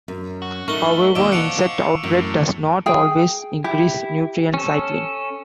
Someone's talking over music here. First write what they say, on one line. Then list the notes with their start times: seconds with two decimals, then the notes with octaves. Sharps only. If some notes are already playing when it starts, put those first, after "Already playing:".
However, insect outbreak does not always increase nutrient cycling.
0.08 F#2
0.42 F#4
0.68 A3 D#4 A#4 C#6 F#7 G7
1.15 D#2 B2 A#3 D5 D6 E6 D7
1.32 F5 F#5 A5 C#7 D7 F7
2.03 F#2 A2
2.86 G#4 G5
3.64 E4 G4
4.54 C#4 A4